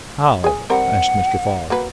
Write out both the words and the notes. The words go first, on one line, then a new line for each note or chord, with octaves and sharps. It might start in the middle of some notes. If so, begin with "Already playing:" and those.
"How?" asked Mr. Fogg.
G#4 G#5
G3 C4 A#4 F#5
A#3 F#4 B4